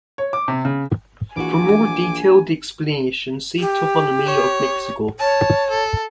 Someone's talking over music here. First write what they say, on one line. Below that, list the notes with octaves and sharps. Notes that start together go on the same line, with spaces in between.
For more detailed explanation see Toponymy of Mexico.
C#5
D6
C3
C#3
A#1 E3 F#4 G#5 D6
G4
C#5
C#5 A5
A4